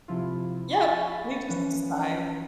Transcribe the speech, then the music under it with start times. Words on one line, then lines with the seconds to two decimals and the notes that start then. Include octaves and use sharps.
Yep, they just decide.
0.08 C3 F3 E4 F4
0.71 B5 C#6 A6 B6
1.48 E3 F3 C#4 B4